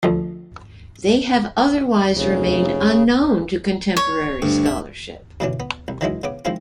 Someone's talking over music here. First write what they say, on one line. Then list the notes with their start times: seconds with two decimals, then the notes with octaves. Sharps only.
They have otherwise remained unknown to contemporary scholarship.
0.03 D2 F3
2.15 F1 C#3
3.97 C#5
4.42 D2 G2
4.66 E5
5.40 G2 B2 D3 E3 C#4 D4
5.60 B3
5.88 C2
6.01 D#3 E3 F#3 G#3 D#4 E4
6.23 C#3 B3 D6
6.45 D#3 F3 G#3 C4 E4 F4